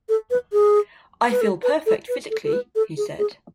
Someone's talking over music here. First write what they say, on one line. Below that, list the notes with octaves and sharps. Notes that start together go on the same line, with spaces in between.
"I feel perfect physically", he said.
A4
B4
G#4
B4
A4
B4
A4
B4
A4
A4
B4
A4
G#4
G#4